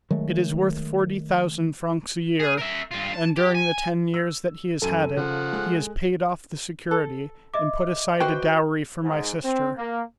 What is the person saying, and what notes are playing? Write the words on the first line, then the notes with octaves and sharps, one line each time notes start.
It is worth forty thousand francs a year, and during the ten years that he has had it, he has paid off the security and put aside a dowry for my sister.
D#3 F#3 G#3 A3
G#4
A#4 E5
G2 F4
A5
G4
G#5
E6
F#2 A4 G#5 D#7
C#3 F3 F#5
G#3 F#6
A4
D#5 E5 D6
F#4 B4 C5 G5
G#2
C4
A#3